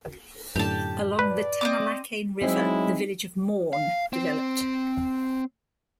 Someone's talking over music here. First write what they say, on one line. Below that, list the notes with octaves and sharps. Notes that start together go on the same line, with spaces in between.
Along the Thamalakane River the village of Maun developed.
F#2 A2 D3 G4 A5
B4 D5
C4 D#5 D6
F#3 G#3 C4 D#4 E4
F5
C4